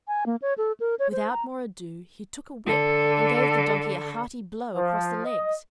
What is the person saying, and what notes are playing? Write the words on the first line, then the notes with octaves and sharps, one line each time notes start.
Without more ado, he took a whip and gave the Donkey a hearty blow across the legs.
G#5
A#3
C#5
A4
A#4
C#5
C5
A#5
D3 A4
F3
D#5